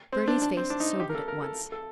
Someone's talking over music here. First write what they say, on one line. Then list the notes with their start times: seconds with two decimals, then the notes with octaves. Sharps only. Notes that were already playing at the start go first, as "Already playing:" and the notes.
Bertie's face sobered at once.
0.13 C4
0.28 D4
0.42 D4
0.57 C4
0.70 D4
0.80 D#4
1.00 G4
1.09 A#4
1.15 A4
1.28 A#4
1.42 A4
1.72 A4